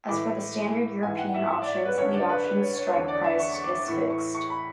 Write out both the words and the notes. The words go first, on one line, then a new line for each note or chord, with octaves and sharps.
As for the standard European options, the option's strike price is fixed.
A2 E3 D6
G#2 E3 G#5
F#5
E5
E5
D5
C#5
B4
F#2 D3 C#5
D5
B4
B4
C#5
C#5
E2 D3 C#5
D5
E5
C#6
C#6
D6
D6
A2 E3 C#6
C#6
C#6
B5